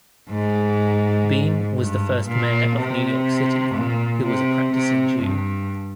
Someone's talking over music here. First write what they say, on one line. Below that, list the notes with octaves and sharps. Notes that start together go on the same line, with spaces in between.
Beame was the first mayor of New York City who was a practicing Jew.
G#2
G2
A#2
C3
A#2
C3
C3
G2